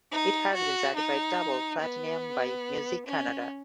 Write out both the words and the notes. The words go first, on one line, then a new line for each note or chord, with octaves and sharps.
It has been certified Double Platinum by Music Canada.
D#4
F#4
D#4
B3
C#4